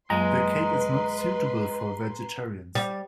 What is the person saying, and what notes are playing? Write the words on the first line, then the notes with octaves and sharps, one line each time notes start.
The cake is not suitable for vegetarians.
F#2 F#3 G#3 A#3 B4 A#5 C6
G3